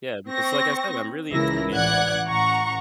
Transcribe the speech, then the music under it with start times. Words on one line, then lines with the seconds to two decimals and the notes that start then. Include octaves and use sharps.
Yeah, because like, I said, I'm really into nature.
0.30 C4 C#6 A#6
1.30 C#2 E3 E4 A#4 A#6
1.71 A1 E3 D5 F#5 F#6 G#6
2.28 A1 F#5 A#5 C#6